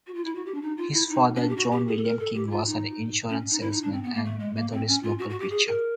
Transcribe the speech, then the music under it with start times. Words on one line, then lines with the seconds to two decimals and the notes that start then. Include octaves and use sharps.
His father John William King was an insurance salesman and Methodist local preacher.
0.07 F#4
0.14 F4
0.25 E4
0.35 F#4
0.46 G4
0.54 D4
0.62 D#4
0.77 F4
0.93 E4
1.09 D#4
1.36 C#4
1.40 D4
1.49 G4
1.56 F#4
1.71 G4
1.88 G#4
1.97 A4
2.03 A#4
2.19 A4
2.35 G4
2.47 E4
2.50 F4
2.67 D#4
3.29 C#4
3.50 D#4
3.61 E4
3.71 D#4
3.82 D4
3.92 C4
4.04 B3
4.14 A#3
4.25 A3
4.39 G#3
4.55 A#3
4.72 C4
4.88 C#4
5.03 F4
5.19 F#4
5.30 F#4
5.40 G4
5.51 G#4
5.67 A#4